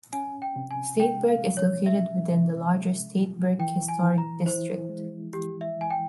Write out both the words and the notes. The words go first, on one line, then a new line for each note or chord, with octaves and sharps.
Stateburg is located within the larger Stateburg Historic District.
C#4 G#5
G5
C3
G#5
G#3 G5
F5
F3
C#5
C#4 E5
C3
G#3
F3
E3 G5
G#5
E3
A#5
E4 C5
G#3
E3 G4
E5
E3 G#5
G5